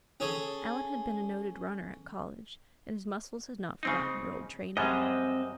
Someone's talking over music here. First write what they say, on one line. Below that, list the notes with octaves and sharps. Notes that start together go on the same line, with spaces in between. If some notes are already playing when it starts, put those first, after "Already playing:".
Alan had been a noted runner at college and his muscles had not forgotten their old training.
C#4 G#4 A4
C#3 C4 D#4
F#2 G3 G#3 C4 D#5